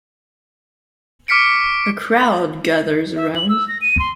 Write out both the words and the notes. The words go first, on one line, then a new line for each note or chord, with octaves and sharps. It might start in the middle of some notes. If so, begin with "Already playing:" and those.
A crowd gathers around.
C#6 D6 F6 B6 C#7 D7
E5
F#7
E6
A#6
D#7
C6